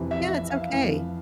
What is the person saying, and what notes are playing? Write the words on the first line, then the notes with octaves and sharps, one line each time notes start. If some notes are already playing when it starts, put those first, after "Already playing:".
Yeah, it's okay.
Already playing: F2 C3 E3
E5
E5
F5
F2 E3